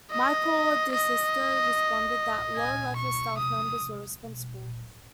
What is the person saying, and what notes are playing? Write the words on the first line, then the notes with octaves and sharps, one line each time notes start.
Michael DeSisto responded that, "low-level staff members were responsible".
D#5
D#5
G#5
C#6
D#6